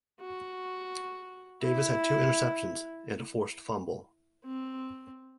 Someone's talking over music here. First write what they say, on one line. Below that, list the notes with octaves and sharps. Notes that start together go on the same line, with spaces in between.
Davis had two interceptions and a forced fumble.
F#4
E4
C4